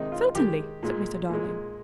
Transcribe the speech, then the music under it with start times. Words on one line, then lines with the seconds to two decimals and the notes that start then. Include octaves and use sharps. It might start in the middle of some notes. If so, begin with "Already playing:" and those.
"Certainly," said Mr. Darling.
Already playing: C3 D#3 G#3 D#4
0.12 F4
0.35 D#3 G#3 G4
0.83 A#2 G#3
1.29 A#2 G#3